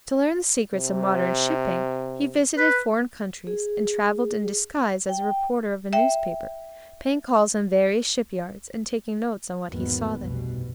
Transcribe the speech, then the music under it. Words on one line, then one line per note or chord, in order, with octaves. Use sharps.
To learn the secrets of modern shipping he visited foreign countries and traveled in disguise as a reporter of a newspaper, paying calls on various shipyards and taking notes on what he saw there.
C3
B4
G#4
G5
E5 G5
G#1 E2 D#3 F#3 A#3 B3
F1 B1 G2 B2 G3